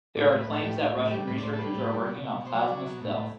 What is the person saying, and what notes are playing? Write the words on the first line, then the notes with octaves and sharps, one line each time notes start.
There are claims that Russian researchers are working on "plasma stealth".
A2 D5
C5
A2
B4
A2 A4
A4
A2 G4
A2
A2
G3 G4
A2 B4
D5
A2 C5
A4
G3 B4
A2
G3
B2
B2
B2
C5
F#3 D5
F#3
B2
A2
A2